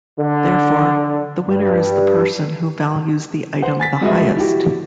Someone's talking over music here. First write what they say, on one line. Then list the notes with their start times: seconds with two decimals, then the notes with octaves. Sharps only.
Therefore, the winner is the person who values the item the highest.
0.19 D3
1.48 G2
3.62 C5 F#5
3.80 G#5 A6 B6
4.01 G3 G#3 F#4 B4 D#5 E5
4.37 E4 F#4 G4